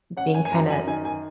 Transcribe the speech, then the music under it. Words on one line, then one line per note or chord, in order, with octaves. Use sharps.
being kinda
C#4 F#5
G#5
G#5
F#2 A#5
G#5
D#3 G#5
G#5